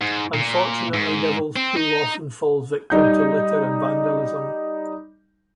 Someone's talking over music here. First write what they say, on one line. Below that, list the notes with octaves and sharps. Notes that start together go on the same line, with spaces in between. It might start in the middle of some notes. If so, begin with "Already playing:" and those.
Unfortunately, Devil's pool often falls victim to litter and vandalism.
G#2
A#2
G#2
C4
D#4
G3 D#4 G6